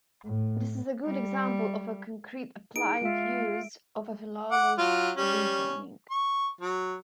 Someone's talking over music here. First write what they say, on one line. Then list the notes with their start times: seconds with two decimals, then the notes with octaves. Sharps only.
This is a good example of a concrete applied use of Philolaus' reasoning.
0.24 A2
1.05 G3
2.76 D#4 E4 G#4 D7
3.02 G#3 F4 E5
4.51 F#5 D6
4.78 F#3 F4
5.16 G3 C#4
6.11 C#6
6.61 F#3